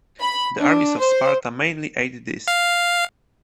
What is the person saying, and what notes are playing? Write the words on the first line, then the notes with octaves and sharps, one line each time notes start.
The armies of Sparta mainly ate this.
B5
D4
C5
F5